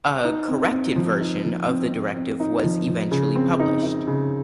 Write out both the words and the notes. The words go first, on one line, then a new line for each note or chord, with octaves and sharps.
A "corrected" version of the directive was eventually published.
D#4
C4
C4
F3
D#4
F3
C4
C4
C4
D#4
F3
F3
C#3
C4
D#4
D#4
C#3